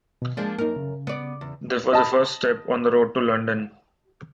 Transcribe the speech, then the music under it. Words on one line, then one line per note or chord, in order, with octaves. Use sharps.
This was the first step on the road to London.
B2
F3 G#3 A#3 D4
F#2 A#3 D#4 A#4
C#3
B3 D5
E2
D#5 A5 B5